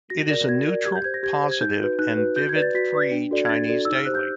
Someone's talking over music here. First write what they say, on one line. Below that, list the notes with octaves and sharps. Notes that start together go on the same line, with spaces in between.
It is a neutral, positive and vivid free Chinese daily.
F#4 A#6
A#4 D5 A#6
F#4 G#6
A#4 D5
G4 G#6
G6
C5 G#6
A#6
G4 G#6
C5
G#6
D#4 G6
F#4 B4
D#4 F#6
F#4 B4
F#4 G6
G#6
B4 D5
A6
F#4 B6
B4 D5
D4
F#4 A4 D5
G#6
D4 A6
F#4 A4 D5
D#4 E6
F6
G4 C5 F#6
G6